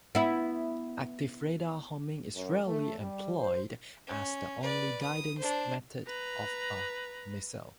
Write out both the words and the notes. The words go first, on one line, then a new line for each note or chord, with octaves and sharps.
Active radar homing is rarely employed as the only guidance method of a missile.
B3 E4
F#2
A3
G3
C5
C#4
B4 D5
D#6
D4 C5
B4 A#5